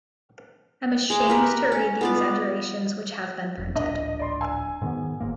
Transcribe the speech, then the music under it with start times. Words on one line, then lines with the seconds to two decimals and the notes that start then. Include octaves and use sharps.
I'm ashamed to read the exaggerations which have been printed.
1.10 G#3 D6
1.28 G4 A#4 B4
1.72 C#4
2.01 B3 F4 D5
3.58 F1
3.76 D1 A#1 D4 D#5
4.19 D5 C6
4.41 G#5 E6
4.82 G#2 D#3 B3
5.20 G1 G#2 A#3